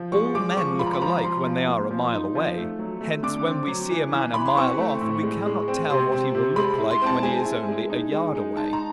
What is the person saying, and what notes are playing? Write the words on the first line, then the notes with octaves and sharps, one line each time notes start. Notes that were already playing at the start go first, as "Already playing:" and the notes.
All men look alike when they are a mile away, hence when we see a man a mile off we cannot tell what he will look like when he is only a yard away.
Already playing: F3
G#3 C#6
G#3 D6
F3 C#6
F4 B5
A#5
B5
F3 A#5
F3 C6
F3
A#3
F3
D#4
F3
A3
F#3
A3
D3 D6
C4
F#3
E3
E3
E3 B5
C6
C4 C#6
A3
A2
G#3
G#3
C4
C3 C6
C4
C3
G#3 B5
E4
C6
C4 A5
G#3 G#5
E4
G#3
D#4
G#3
D#4
D#4 A5
A#5